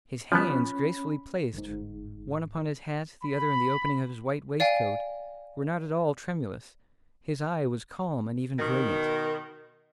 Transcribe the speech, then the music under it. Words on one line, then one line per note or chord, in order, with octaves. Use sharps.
His hands, gracefully placed, one upon his hat, the other in the opening of his white waistcoat, were not at all tremulous; his eye was calm and even brilliant.
F3 B3 C#4 B5
G1 G#2
B5
D5 F5 G5 G#5
B2 D#3